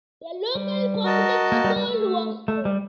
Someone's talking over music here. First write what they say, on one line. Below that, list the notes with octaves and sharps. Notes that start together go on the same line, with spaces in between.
The local public school was good.
G3
F#4 A#4 D#5 A5
A#3
G3
G3
A3
A3
G3